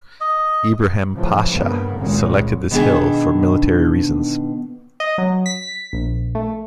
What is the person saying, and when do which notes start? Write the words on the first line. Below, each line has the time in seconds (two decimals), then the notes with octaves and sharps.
Ibrahim Pasha selected this hill for military reasons.
0.21 D#5
1.13 A2 C#3 E3 F3
1.55 G2 C#3 A#3 B3
1.98 G#1 C#2 A#2 G3 G#3 C#4
2.71 B2 D3 D#3 B3 D4 G#4
5.00 D#5
5.18 F#3
5.46 B6
5.93 A#1
6.35 A3